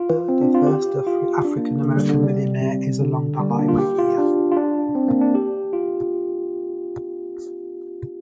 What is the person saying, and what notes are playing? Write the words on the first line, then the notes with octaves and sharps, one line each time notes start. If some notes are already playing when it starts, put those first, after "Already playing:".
Walker, the first African-American millionaire, is along the highway here.
Already playing: F4
C4
D4
F4
G4
F4
D4
A#3
D3
G3
D3
G3
C3
D3
G3
A#3
D4
F4
G4
F4
D4
F4
D4
C4
A#3
D4
G4
F4